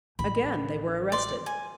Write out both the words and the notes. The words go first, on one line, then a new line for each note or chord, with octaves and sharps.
Again they were arrested.
A1 E3 B5
D5 C6
G#5